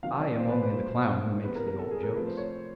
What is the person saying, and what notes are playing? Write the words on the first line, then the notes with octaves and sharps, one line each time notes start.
"I am only the clown who makes the old jokes."
C3 D#3 F#3 F5
D5
C5
B4
B4
A#2 F#3 A#3 C5
C3 E3 G3 B3 B4
A#4
A#4
A4
G#4
A#4
C3 F3 A3 B4
C5
C#5